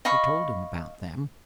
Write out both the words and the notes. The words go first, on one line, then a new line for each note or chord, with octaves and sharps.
We told him about them.
D#5 F5 B5 C#6